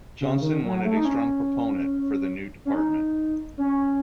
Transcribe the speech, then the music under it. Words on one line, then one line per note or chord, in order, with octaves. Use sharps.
Johnson wanted a strong proponent for the new department.
C#3
D#3
F#3
A3
D#4
C#4
C#4
D#4
C#4